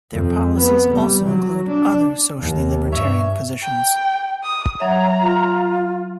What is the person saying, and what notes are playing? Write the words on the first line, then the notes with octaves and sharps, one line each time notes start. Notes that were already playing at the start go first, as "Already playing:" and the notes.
Their policies also include other socially libertarian positions.
F2
B3
G3
F#3
D4
D#2
G2 C#5 E5
G5
D#6
F#3 C#5 E5 A#5
F4